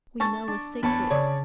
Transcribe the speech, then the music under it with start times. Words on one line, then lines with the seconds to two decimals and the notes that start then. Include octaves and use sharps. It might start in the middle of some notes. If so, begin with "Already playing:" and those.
"We know a secret!"
0.20 A5 C#6 A6
0.48 D4
0.83 E2 C#5 A5 B5
1.10 C#3 C#5 D5